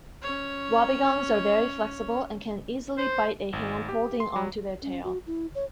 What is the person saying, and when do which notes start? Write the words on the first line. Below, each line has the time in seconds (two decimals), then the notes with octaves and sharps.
Wobbegongs are very flexible and can easily bite a hand holding onto their tail.
0.22 C#4 C#5
2.98 C5
3.53 G#1
3.89 G4
4.20 C6
4.36 F#3
4.82 C#4
5.04 F#4
5.27 E4
5.55 C#5